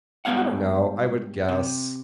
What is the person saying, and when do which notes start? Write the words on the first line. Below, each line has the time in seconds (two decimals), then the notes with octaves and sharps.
I don't know, I would guess
0.25 G#2 G3 A3 B3 F5 F#5
1.49 C3